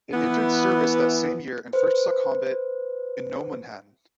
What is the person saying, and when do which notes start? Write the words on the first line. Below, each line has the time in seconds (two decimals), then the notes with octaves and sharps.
It entered service that same year and first saw combat in Nomonhan.
0.13 E3 B3
1.73 B4 C5